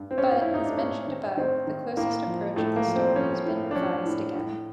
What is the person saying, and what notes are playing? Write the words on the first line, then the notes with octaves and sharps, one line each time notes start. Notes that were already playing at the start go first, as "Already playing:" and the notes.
But, as mentioned above, the closest approach of the star has been revised again.
Already playing: G2
C4
G2 C#4
F4
E4
G2
D#4
D4
G2 C#4
D#3
D#3 C4
D#3
A2 A#3
F3
A2 A3
A#3
F3
C4
F3 C#4
A2
D4
F3 C#4
A2
A2